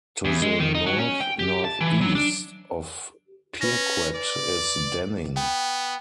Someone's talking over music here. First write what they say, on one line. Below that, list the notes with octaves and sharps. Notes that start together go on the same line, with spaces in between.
To the north-northeast of Pirquet is Denning.
E2
G#3
D#3
D#4
F#3
C#4
G5
G4
A5
E3
F#3
D4
C#4 B4 A#6
D5
B3 G5